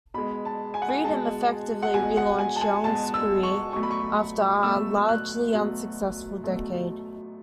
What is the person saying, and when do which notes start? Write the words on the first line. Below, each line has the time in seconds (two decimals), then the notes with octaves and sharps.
"Freedom" effectively relaunched Young's career after a largely unsuccessful decade.
0.14 B2 G#3 B5
0.45 A5
0.74 G#5
0.82 F#5
0.89 G#5
1.04 B2 G#3 A5
1.83 F#5
1.94 B2 G#3 G#5
2.17 F#5
2.39 G#5
2.56 A5
2.61 G#5
2.84 B2 G#3 A5
3.14 E6
3.43 C#6
3.73 B2 F#3 A3 C#6
3.83 B5
3.91 C#6
4.63 B2 F#3 A3 E6
5.09 F#6
5.53 B2 F#3 A3
6.44 B2 F#3 A3